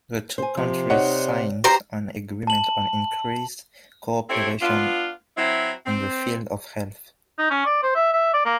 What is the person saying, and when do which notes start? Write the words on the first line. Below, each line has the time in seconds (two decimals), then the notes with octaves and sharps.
The two countries signed an agreement on increased cooperation in the field of health.
0.38 C5 G#5
0.57 C3 F3
0.90 D#4 C#5 D5 F#5
1.64 G4 C5 A#5
2.47 A5 F#7
4.29 C4 E4 G4 A4 C#5
4.61 B3 D4 F4
5.37 F#3 C4 E4
5.86 C4
7.38 D#4
7.50 C#4
7.66 D5
7.83 C5
7.95 E5
8.13 E5
8.34 D5
8.45 A#3